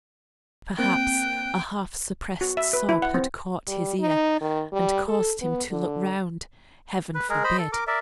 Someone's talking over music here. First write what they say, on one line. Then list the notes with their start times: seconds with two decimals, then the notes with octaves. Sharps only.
Perhaps a half-suppressed sob had caught his ear, and caused him to look round--heaven forbid!
0.79 A#3 C4 G5 F#6
2.41 F#4
2.57 E5
2.73 B4
2.89 E4
3.02 F#5
3.14 C4
3.68 G3
4.00 D#4
4.41 D#3
4.73 G3
5.08 A4
5.41 B3
5.71 D3
7.15 B4
7.30 G#3 G#4 A#4
7.44 C5 D#5 B5
7.58 A4
7.72 A#4 D6
7.87 A#4 D5 E5